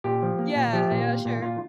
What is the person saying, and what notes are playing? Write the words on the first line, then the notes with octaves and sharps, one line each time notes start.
Yeah, yeah, sure.
A#2 G4
F3
A#3
A#2
F3 G4
A#2
A#3
A#2
A#2 F4